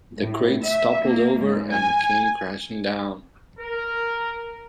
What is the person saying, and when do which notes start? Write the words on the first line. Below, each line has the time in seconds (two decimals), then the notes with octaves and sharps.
The crates toppled over and came crashing down.
0.17 A2
0.64 E5
1.05 A#3
1.39 G#2
1.72 G#5
3.59 A#4